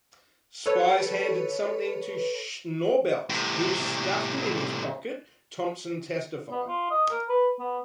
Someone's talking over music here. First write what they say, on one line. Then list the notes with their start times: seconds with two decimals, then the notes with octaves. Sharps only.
Spies handed something to Schnaubelt, who stuffed it in his pocket, Thompson testified.
0.66 A4 B4 C#5
3.29 A2 C3
6.51 B3
6.68 F4
6.91 D#5
7.11 A#4
7.29 B4
7.59 B3